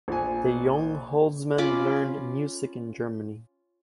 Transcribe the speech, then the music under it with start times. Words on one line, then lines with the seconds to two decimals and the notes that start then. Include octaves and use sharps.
The young Holzmann learned music in Germany.
0.08 A#1 G#5
1.58 C#4 F4 B5 D6